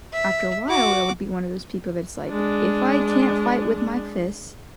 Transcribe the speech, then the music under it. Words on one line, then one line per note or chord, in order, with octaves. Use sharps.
after a while, I would be one of those people that's like, "If I can't fight with my fists,
E5
F#4 D6
G#3 D4